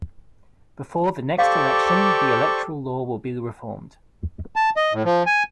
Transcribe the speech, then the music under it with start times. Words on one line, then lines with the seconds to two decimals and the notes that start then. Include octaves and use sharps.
Before the next election, the electoral law will be reformed.
1.38 G4 A4 C5 D5 F5 C#6 D6
4.56 A5
4.77 D#5
4.93 A2
5.05 F3
5.26 G#5